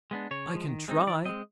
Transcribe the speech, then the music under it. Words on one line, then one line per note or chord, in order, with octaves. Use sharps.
"I can try."
G#3 B3 D4
C#3 C#5
F3 G#3
D#3
G#3 C4 D#4
E3 D5
G#3 C4 D#5